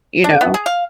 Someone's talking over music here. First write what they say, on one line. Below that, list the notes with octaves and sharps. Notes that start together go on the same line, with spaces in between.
you know.
D4
B3
G#4
F5